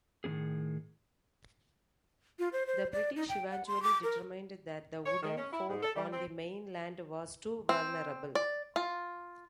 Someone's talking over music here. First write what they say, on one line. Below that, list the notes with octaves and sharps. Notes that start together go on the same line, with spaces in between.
The British eventually determined that the wooden fort on the mainland was too vulnerable.
A2 D#3 F3 B3 G#4
F4
C5
C5
D5
D#4
G5
F#5
C6
D6
A#4
C#5
D#3
C#4
E4
G#2
A4
G3
C4
C4
D5
F4